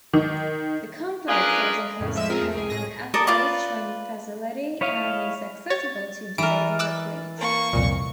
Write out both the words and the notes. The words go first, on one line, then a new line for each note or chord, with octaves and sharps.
The complex also hosts an athlete training facility, and is accessible to disabled athletes.
D#3
C#4 D4 F4 G#4 A#4 B4
F2 A2 C#3
F3 G#3 E5 E6 E7
C4 F4 G#4 A#4
F2
C2 G#4
A2 G#4 A#6
A4 A#4 D5 D#6
F4 B4 D5 D6
E4 C#5 D#5 F5
C#5 A6
E3 A#4 D7
D6 E6 F#6
A#3 C#6
C2 F2 A#2